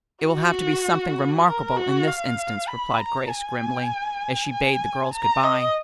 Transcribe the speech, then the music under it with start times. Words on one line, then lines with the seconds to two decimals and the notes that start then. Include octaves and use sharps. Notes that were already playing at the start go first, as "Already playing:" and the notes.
"It will have to be something remarkable in this instance," replied Grace grimly, as she bade the girls good-bye.
0.23 F#4
1.46 A#4
1.76 F#4
2.07 F5
2.68 B5
2.99 A#5
3.29 G#5
4.52 G#5
5.13 A#5
5.44 D#5